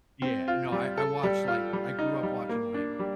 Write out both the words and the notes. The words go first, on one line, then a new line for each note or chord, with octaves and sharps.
Yeah, eh, no, I I watched, like I grew up watching, like,
C4
F4
G3
A4
G3
F4
G3
D#4
G3
A#3
D4
G3